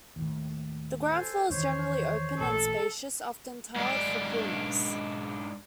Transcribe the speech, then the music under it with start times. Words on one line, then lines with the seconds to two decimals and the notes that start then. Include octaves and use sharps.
The ground floor is generally open and spacious, often tiled for coolness.
0.16 D#2 A2
1.10 A4 C5 G#5
1.50 E2 D#3 C5 C#5
2.39 A1 A#2 A4
3.76 G#2 D4